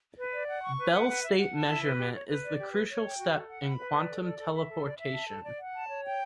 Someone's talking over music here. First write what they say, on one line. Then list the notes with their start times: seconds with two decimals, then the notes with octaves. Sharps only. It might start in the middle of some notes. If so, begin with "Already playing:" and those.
Bell-state measurement is the crucial step in quantum teleportation.
0.18 B4
0.34 D5
0.48 F#5
0.63 C#6
0.78 B4
0.94 F#5
1.08 B4
1.23 E5
1.38 F#5
1.53 A5
1.68 E4
1.84 B4
1.98 G4
2.13 C#5
2.28 B4
2.44 D5
2.58 G4
2.73 B4
2.89 C#5
3.04 G5
3.19 F#4
3.33 A4
3.49 F#5
3.64 B5
3.78 B4
3.93 D5
4.09 A4
4.23 D5
4.38 A4
4.54 E5
4.68 A4
4.84 D5
4.98 E5
5.13 A5
5.29 A4
5.43 D5
5.59 F#5
5.74 A5
5.88 C#5
6.04 G5